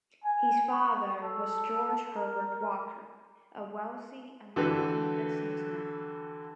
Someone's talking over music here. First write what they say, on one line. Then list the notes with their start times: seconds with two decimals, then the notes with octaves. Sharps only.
His father was George Herbert Walker, a wealthy American businessman.
0.23 G#5
0.71 C#6
1.20 A4
2.16 A#4
4.56 D3 E3 F#4 G4 A4 B4